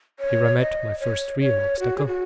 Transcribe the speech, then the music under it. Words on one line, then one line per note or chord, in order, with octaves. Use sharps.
Here I met my first real obstacle.
C#5
D#5
C#5
C#5
F#4
G#4
F#4